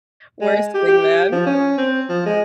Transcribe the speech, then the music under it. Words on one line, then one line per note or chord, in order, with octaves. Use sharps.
worst wingman,
G#3
G4
G4
F3
C#4
C4
F3
G#3